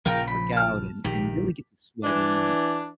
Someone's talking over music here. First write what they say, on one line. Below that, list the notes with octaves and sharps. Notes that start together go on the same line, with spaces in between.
work out, and and really get to sweating,
A#1 C#3 F3 A#4 F5 G5
B5
A5 F6
A#1 D#3 G4
E3 D4